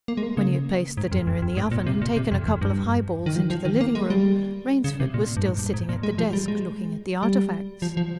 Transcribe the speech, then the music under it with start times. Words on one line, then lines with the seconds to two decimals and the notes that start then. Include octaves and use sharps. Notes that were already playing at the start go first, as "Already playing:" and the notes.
When he had placed the dinner in the oven and taken a couple of highballs into the living room, Rainsford was still sitting at the desk, looking at the artifacts.
0.08 A#3
0.17 G#3
0.23 A#3
0.37 C#3
0.97 G#2
1.12 F2
1.27 F2
1.42 F2
1.57 G#2
1.71 A#2
1.86 C3
2.02 A#2
2.17 C3
2.31 F2
2.46 F2
2.61 G2
3.26 D#3
3.36 F3
3.50 F3
3.65 D#3
3.81 A#3
3.95 G#3
4.10 G3
4.84 C#3
5.00 C3
5.14 A#2
5.37 G2
5.45 G#2
5.59 G2
5.74 G#2
5.89 A#2
6.03 G#3
6.18 F3
6.33 G3
6.48 G#3
7.23 G3
7.82 F3
7.97 F3